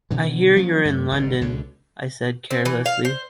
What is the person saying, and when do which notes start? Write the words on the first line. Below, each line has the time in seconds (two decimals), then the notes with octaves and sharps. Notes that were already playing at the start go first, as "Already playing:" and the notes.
"I hear you're in London," I said carelessly.
0.11 B2 D3 E3
0.56 F3 F#3 A#3 C#4
0.85 F#2 A3
1.11 G1 B2
1.41 C#2 B2 D3
2.51 C4
2.65 E3
2.86 F5
3.05 C5